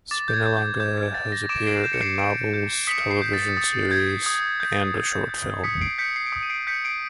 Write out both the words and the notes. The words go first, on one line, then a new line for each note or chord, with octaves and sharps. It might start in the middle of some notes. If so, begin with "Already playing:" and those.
Spinalonga has appeared in novels, television series, and a short film.
D6 A6
G6
G#6
G6
G6
D6 G6
G#6
G6 A6
A#6
D6 D7 E7
C7 D7
G6 D7 E7
C#7
C7 D7
D6 C7 D7
G6
D#6 B6 C#7
C7
G6
A6
D#6 A6
G6 G#6
C7
D#6
G6
D#6
G6
D#6 B6 C#7
C7 D7
G6 B6 C#7
C7
D7
D#6 B6 C#7
D#7
C7 D7
G6 B6 C#7
C7 D7